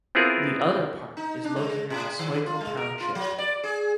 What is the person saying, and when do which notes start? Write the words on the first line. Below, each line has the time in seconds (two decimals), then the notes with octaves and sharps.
The other part is located in Schuylkill Township.
0.15 B3 C4 E4 F4 G#4 A#4
1.17 D#4
1.44 D4
1.56 G#3
1.90 A2
2.19 D#3
2.46 F4
2.61 G#3
2.77 A#4
3.00 F4
3.15 F#3
3.38 D5
3.64 G#4